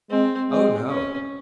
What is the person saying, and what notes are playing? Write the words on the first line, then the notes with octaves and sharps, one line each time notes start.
"Oh, no!"
G#3 C4
G#3 C4
C#4